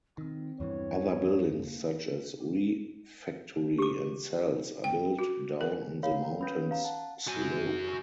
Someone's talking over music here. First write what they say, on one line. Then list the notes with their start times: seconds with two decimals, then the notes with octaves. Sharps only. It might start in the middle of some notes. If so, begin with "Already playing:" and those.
Other buildings such as refectory and cells are built down on the mountains slope.
0.18 D#3 C4
0.60 E2 G2 E3 C#5
1.50 A#3
3.79 G4 D6
4.84 G5
5.19 F#4
5.61 A#4
6.03 A#4 C#5 F5 B5
6.41 C#4 B4 B5
6.71 F5 A#5
6.84 F#5 A5
7.28 F#4 G#5